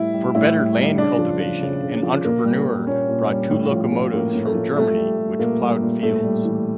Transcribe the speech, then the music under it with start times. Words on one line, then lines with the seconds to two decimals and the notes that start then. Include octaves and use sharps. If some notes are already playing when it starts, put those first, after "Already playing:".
For better land cultivation an entrepreneur brought two locomotives from Germany which plowed fields.
Already playing: A2 G3 E4
0.14 G3
0.35 A2 E4
0.57 G3
0.77 G3
0.98 C#3 D4
1.19 F3
1.40 F3
1.61 C#3
1.83 C#3
2.03 F3
2.24 A#2 A#3
2.45 G3
2.67 G3
2.87 A#2 C#4
3.09 A#2
3.30 G3
3.50 A2
3.72 F3
3.92 F3
4.14 A2 A#3
4.35 A2
4.45 A3
4.55 F3
4.76 G3 A3
4.97 G3
5.18 G3
5.39 A#2 A#3
5.61 G3
5.81 A#2
6.02 A2 A3
6.24 G3
6.45 E3